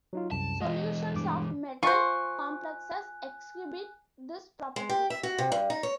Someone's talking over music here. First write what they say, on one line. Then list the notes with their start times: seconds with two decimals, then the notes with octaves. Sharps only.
Solutions of metal complexes exhibit this property.
0.13 F#3 D#4 F4
0.31 C2 F#2 A5
0.61 E3 G#3 D#5
1.15 G2 D6
1.83 F4 C5 G#5 C#6 F#6
4.76 G#3
4.89 G4
5.10 E5
5.23 F#4
5.38 C3
5.52 G2
5.70 D#4
5.83 C#5